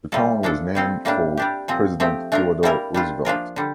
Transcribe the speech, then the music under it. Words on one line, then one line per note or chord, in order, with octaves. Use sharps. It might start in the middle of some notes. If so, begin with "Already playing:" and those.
The town was named for President Theodore Roosevelt.
A2 G3 A#3 F4 A4
F3 A#3 D4 A4
G3 C4 F4 A4
A2 G3 A#3 D4
G3 D4 G4
A#2 F3 C4
F3 A3 C4 G4
A3 D4 F4 A#4
G3 A#3 E4 A#4
G3 D4 F4
F3 A#3 D4 F4 A#4
D3 G3